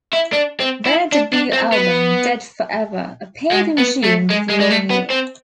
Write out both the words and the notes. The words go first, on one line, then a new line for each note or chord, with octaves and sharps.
Their debut album, "Dead Forever...", appeared in June the following year.
E4
D4
C4
E4
D4
D4
C4
B3
G#3
B3
A3
G#3
G#3
G#3
A3
B3
C4